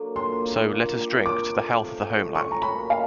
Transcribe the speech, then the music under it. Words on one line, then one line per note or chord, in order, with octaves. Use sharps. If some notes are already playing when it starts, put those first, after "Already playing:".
So, let us drink to the health of the homeland.
Already playing: D3 F#3 A#3
A#2 C6
A#3
G3
A#2
G3 A#3
C3 D6
F3 A3 C#4
C3
F3 A3 C#4
C#3 C#6
A#5
F#3 A#3 C#4 B5
C#3 F5